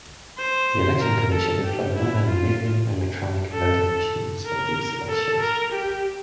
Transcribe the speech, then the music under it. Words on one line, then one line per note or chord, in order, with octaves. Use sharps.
The Election Commission employed more than a million electronic voting machines for these elections.
C5
A#4
A4
G4
E4
F4
A4
A#4
A4
A#4
G4